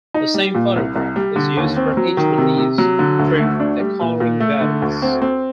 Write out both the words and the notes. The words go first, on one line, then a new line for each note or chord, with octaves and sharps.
The same photograph is used for each release though the colouring varies.
D#4
G3
A#2
C2
C2
G3
D3
D#2
C4
F#3
D#3
C3
C3
F#3
D3
D2
A3
D4
G3
A#2
A#2
A3
D3
D2
C4
C4